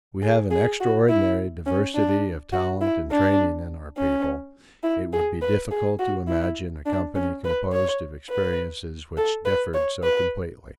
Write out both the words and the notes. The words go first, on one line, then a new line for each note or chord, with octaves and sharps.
We have an extraordinary diversity of talent and training in our people; it would be difficult to imagine a company composed of experiences which differed so completely.
G#4
G#4
F#4
E4
C#4
D4
F#4
E4
D4
C#4
E4
G#4
B4
G#4
F#4
E4
D4
C#4
B4
C#5
B4
A4
B4
C#5
B4